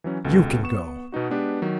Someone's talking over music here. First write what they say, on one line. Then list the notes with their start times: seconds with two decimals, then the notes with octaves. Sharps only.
"You can go."
0.04 E3 F#3 C#4
0.25 C#2 B2 A4
0.63 B3 C#6 E7
1.12 B2 B3 D#4 F#4
1.30 G#3 B3 D4 G4 B4
1.62 D#3 F#3